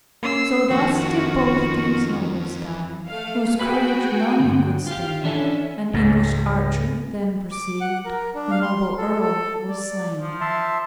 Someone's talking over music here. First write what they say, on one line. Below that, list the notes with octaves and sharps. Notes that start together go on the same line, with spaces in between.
So thus did both these nobles dye, Whose courage none could staine; An English archer then perceiv'd The noble erle was slaine.
A#3 C#4 E6 C7
F2 D#3 F4 F#4
A3 F5
F#4 G#4 B4 G5 B5
G2 D3
F4 G4 F5
E3 C#4 D4 A4 E5
C#2 G#2
D6
F#5
A#4
D4
F5
C6
A4
A4
D5
F3
E5 A5 C6